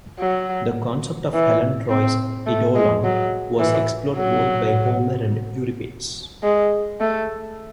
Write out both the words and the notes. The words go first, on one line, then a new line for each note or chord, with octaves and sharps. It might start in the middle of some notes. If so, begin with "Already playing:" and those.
The concept of Helen of Troy's eidolon was explored both by Homer and Euripides.
F#3
E3
C4
A3
G#3
F#3
E3
F#3
G#3
A3